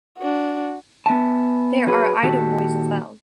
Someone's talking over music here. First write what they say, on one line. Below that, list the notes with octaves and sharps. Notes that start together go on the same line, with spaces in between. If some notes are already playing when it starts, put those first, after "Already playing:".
There are item boys as well.
D4 F#4
B3 E5 G#5 A5
F#3 G#4 B4
A#2 D#3 F#4 G4 A4